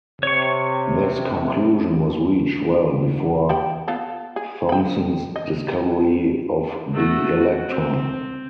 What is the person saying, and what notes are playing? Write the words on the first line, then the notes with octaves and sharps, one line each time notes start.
This conclusion was reached well before Thomson's discovery of the electron.
C3 C#5 C#6
G3 G5 B5
B3 F4 A4
G#4
G5 B5
D#5
A3 F#4
F#4
C4